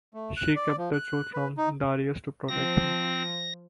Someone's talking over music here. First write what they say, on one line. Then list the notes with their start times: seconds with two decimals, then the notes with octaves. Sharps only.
She kept the truth from Darius to protect him.
0.14 A3
0.37 F#6
0.56 D5
0.78 F3
0.93 F#6
1.33 B4
1.57 D#4
2.49 F3 C4 A#6